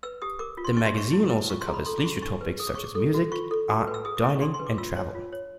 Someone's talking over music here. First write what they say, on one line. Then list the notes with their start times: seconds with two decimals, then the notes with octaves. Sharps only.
The magazine also covers leisure topics such as music, art, dining, and travel.
0.03 B4 E6
0.22 G4 D#6
0.39 A#4 D6
0.57 F4
0.64 C6
0.77 D#4 C#6
0.86 C6
0.94 G#4 C#6
1.13 E4
1.30 E4
1.50 F4 C#6
1.61 C6
1.67 G#4 A#5
1.74 B5
1.86 A4 C6
1.98 D6
2.05 F#4 C#6
2.22 D#4 C#6
2.41 B4
2.60 G#4 D#6
2.67 D6
2.75 G#4 C#6
2.84 D6
2.95 A4
3.14 F#4
3.32 F4 C#6
3.51 A4
3.69 F#4
3.87 B4
3.94 E6
4.05 G#4 D#6
4.17 D6
4.23 E4
4.29 C#6
4.41 D4 C6
4.54 C6
4.59 B4
4.66 D6
4.78 F4 E6
4.96 C#5
5.15 F4
5.32 C#5